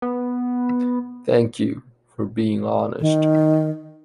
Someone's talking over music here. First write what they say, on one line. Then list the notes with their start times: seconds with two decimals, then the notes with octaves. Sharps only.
Thank you for being honest.
0.02 B3
3.00 D#3